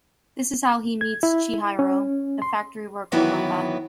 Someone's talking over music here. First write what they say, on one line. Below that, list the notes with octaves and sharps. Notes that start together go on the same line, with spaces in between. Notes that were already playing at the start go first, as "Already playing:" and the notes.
This is how he meets Chihiro, a factory worker robot.
G#6
E4
C#4
C6
G2 D#3 E3 F#3 B3 E4